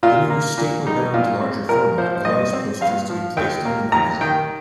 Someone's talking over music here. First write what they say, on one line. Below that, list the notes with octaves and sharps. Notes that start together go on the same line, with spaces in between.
The new staple bound larger format allows posters to be placed in the magazine.
A#2 F4
A#3
A#2
G3 D#4
A#2 F4
C4
A#2 A#4
F3 C5
C5
G2 D#5
C4
G2 F5
F3
D#2 G5
A#3
D#2 A#5
D#3 G5